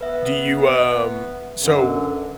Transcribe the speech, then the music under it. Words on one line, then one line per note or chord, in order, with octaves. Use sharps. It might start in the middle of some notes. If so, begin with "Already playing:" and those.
Do you, um so,
B3 B4 E5
F#2 D3